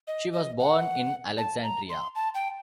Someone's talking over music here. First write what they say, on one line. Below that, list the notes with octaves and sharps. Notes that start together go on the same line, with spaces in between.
She was born in Alexandria.
D#5
D#5
F#5
A5
A#5
C6
A5
G5